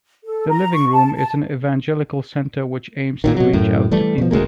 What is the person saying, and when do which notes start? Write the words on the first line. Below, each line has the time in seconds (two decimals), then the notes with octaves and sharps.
The Living Rooms is an evangelical centre which aims to reach out to people.
0.24 A4
0.49 A#5
0.73 C#6
0.93 A5
1.16 A5
3.24 A#2 D3 D#3
3.36 B2 F#3
3.53 F#2 A2
3.91 E3 G3 A3
4.18 B2 F3
4.31 E1 D2 G#3 A#3